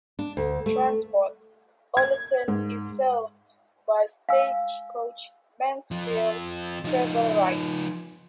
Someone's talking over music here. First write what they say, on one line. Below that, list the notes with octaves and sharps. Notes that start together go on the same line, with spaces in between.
Transport: Ollerton is served by Stagecoach Mansfield, Travel Wright.
D4
D2
A3
G#6
G#2
F5 G#5 E6
F2 F3
F3 D#4